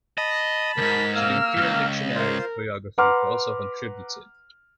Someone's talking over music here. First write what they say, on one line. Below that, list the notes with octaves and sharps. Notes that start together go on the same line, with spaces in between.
To the "Imperial Dictionary of Biography" he also contributed.
D#5 A5 B5
D2 G#2 A#4 B6
A#3 A#4 E6 F6
C#2 G2
F4 A#4 C5
B4 F#5 A#5 C6 D6 F6